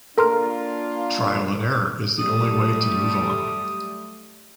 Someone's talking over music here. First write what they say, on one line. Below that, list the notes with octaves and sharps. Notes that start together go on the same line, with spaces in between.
Trial and error is the only way to move on.
A#3 D4 F4 A4 A#4 C6 F6
F#3 G3 A3 D#6